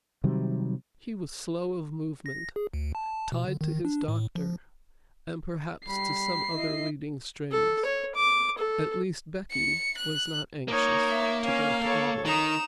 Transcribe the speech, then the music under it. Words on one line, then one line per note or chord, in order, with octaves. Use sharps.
He was slow of movement, tied to his Doctor, and perhaps to some other leading-strings. At least Becky was not anxious to go to England.
C3 D#3 F#3 G3
A#6
G#4
D2
A5
B2
D3
D#3
D4
A2
F3
G3 B5 C7
E4 D#5
A4
C#5
D6
A4
C#7
F#6
A#3 D#4 C#5
E5
C#4 F5
A4 C#5
D#3 D#4 A#5 E7